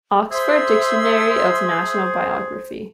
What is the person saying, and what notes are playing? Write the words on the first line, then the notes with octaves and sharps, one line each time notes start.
"Oxford Dictionary of National Biography".
G#4 C5 E5 C6 E6